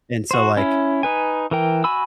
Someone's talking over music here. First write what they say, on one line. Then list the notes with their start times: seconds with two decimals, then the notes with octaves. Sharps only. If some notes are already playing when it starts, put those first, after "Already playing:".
and so, like,
0.31 F#4 C5
0.57 C#4 E4
1.03 D#4 B4 G#5
1.51 E3 A#4 G5
1.84 F#4 G#5 B5 E6